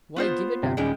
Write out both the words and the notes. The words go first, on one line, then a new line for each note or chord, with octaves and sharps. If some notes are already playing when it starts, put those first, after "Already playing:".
"Why give it up?"
B3 F4 C5
G1 C3
D#1 G3 G#3 C#4 G5